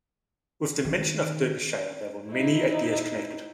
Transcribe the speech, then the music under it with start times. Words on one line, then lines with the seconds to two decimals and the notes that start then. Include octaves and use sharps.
With the mention of Derbyshire there were many ideas connected.
0.85 D#3
2.29 D#4 E4